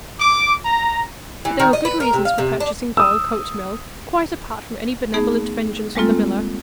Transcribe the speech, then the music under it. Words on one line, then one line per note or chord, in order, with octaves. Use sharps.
But there were good reasons for purchasing Dorlcote Mill, quite apart from any benevolent vengeance on the miller.
D6
A#5
E3
D#3
D#5
B4
A#4
C3
F5
C3
D4
D#6 E6
A3 B3 D#4 G#4
G3 G#3 A#3 C4 F4 A4